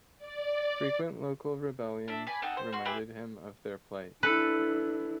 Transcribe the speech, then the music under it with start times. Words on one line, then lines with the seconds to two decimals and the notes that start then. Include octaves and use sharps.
Frequent local rebellions reminded him of their plight.
0.18 D5
2.08 D4 E5
2.27 B4 D5 G#5
2.42 C4 D#4 A4 F#5
2.57 C5
2.72 F#4 C6
2.85 G4 G#4 B4 E5
4.23 D4 E4 A4 B4